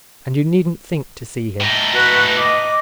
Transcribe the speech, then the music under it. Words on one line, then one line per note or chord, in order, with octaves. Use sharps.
And you needn't think to see him.
A2 D#4
F#4 B4 F#6
D#5 D6